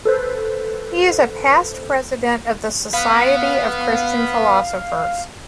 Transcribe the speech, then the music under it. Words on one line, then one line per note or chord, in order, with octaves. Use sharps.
He is a past president of the Society of Christian Philosophers.
A4 B4 C5
B3 B4 F5